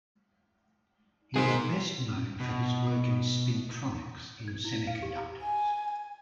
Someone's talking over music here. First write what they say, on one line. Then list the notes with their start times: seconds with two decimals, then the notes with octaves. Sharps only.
He is best known for his work in spintronics in semiconductors.
1.36 B2 D#3 G#3 G#4 C5
2.40 B2
4.48 G#6
4.65 E4
4.87 F5
5.03 G4
5.42 G#5